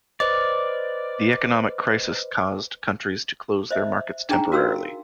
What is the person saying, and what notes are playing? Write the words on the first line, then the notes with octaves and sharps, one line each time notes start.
The economic crisis caused countries to close their markets temporarily.
B4 C5 D5 D#5
C5 D#5 E5
D4 D#4 G#4 G5 G#5 A#5
F#4 A#4 F5 E6